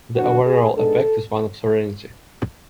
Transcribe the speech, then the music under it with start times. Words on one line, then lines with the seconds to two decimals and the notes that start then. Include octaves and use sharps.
The overall effect is one of serenity.
0.16 E2 D3 F#3 B3 D4 F#4
0.46 G#4
0.76 G#2 G#3 B3 D4 A4